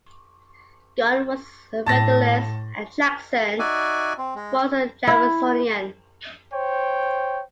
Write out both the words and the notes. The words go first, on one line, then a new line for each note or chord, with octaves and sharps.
Gunn was a Federalist, and Jackson was a Jeffersonian.
A2 A5 A6 A#6
D#4 F#4 D5 E5 G#5
C4
G#3
E4
C5 C#5 G5